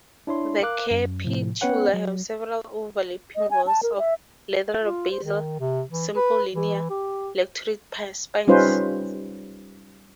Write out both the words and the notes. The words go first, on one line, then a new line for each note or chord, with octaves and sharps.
The capitula have several overlapping rows of leathery basal simple linear-lanceolate spines.
D4 E4 C#5 C6
A#4 F5 D6 F#6
F#2
A2 C3 F3
B3 C#4 B4 C#5 F#5 G5
F#3
D#5
G#5
A5
A#4
E5
F4
C5
D#3
C3
E3
B4
E3
G4
G3 C#4 D#4 F4 B4 C5